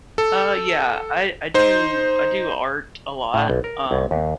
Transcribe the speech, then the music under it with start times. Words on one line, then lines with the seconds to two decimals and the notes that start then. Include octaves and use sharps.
Uh, yeah. I I do I do art a lot, um,
0.18 A4
1.54 D#4 C5
3.34 A2
3.50 B1
3.64 A#4
3.91 C2
4.11 D#2